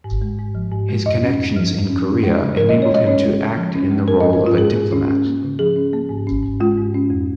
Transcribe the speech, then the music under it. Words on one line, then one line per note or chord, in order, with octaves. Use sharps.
His connections in Korea enabled him to act in the role of a diplomat.
G#2
G#3
G#2
F3
G#2
G#3
F2 D#5
C#4
F2
F3
F2
C#4
C#4
G#3
C#3
F3 A#4
D#5
C#4
C#5
G#3 D#5
C#4 C#5
G#3
C#3
F3
C#4
G#3
G#2 A#4
D#5
C#4
A#4
G#2
F4
G#3 G#4
G#2
C#4
C#4
A#3
C#3
F3 G#4
C#4
A#3
G#2
C#4
G#2
G#3 F4
G#2
C#4
F2